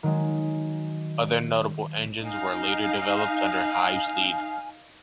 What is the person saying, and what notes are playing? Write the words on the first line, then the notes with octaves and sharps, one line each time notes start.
Other notable engines were later developed under Hives' lead.
D#3 F#3 G#3
D#4 F5 G#5